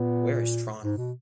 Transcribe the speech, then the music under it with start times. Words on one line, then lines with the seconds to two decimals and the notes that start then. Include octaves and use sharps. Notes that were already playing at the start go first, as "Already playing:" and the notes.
Where is Tron?
Already playing: A#2 B3
0.82 G#2
0.97 B2